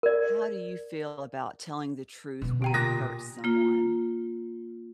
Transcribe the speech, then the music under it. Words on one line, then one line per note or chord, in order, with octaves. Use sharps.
How do you feel about telling the truth when it hurts someone?
A#4 D5
B2 D3
G4 G5 A#5
A#2 D#6 F#6 A6 A#6
A#3 F4